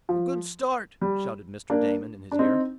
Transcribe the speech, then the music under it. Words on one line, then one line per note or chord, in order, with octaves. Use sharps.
"A good start!" shouted Mr. Damon in his ear.
F3
G3
A#3 D4
D4
C4 D#4